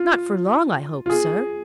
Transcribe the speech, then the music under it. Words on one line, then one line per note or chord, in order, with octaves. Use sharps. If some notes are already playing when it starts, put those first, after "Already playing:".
"Not for long, I hope, sir."
Already playing: F4
F4
G#4